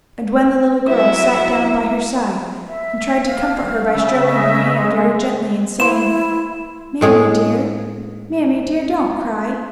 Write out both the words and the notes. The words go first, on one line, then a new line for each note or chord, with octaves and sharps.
And when the little girl sat down by her side, and tried to comfort her by stroking her hand very gently, and saying, 'Mammie dear, mammie dear, don't cry!
F#3 E4 E5
E5
F5
C#3 E5
D#5
G#3
E3 E4 C5 E7
A2 G#3 G#4